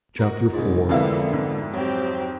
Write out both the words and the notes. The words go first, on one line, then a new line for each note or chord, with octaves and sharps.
Chapter IV.
F#4 A#4
C2 G#2
F2 D3 E3 G#3 A#3 B3 E5 F5
G#2
F#3 C4 G4